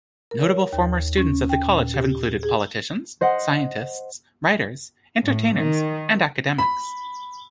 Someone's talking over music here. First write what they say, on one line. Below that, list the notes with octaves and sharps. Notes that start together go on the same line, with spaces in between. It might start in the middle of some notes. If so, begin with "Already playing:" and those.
Notable former students of the college have included politicians, scientists, writers, entertainers and academics.
A#4
C#5
D#2
C#4
G5
A#2
G4
G#4
C5 D#5 F#5
A2
D#3
B5